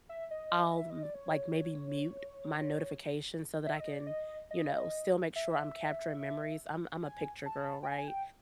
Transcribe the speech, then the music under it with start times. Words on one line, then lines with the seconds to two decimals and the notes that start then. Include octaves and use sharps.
I'll m like maybe mute my notification so that I can, you know, still make sure I'm capturing memories, I'm I'm a picture girl, right,
0.09 E5
0.31 D#5
0.78 E5
0.90 D#5
1.03 D5
1.15 C#5
3.66 E5
3.80 D#5
3.94 D5
4.07 D#5
4.51 D#5
5.36 E5
7.03 G#5
7.46 A5
7.83 G5
7.87 G#5
7.98 G#5
8.08 G5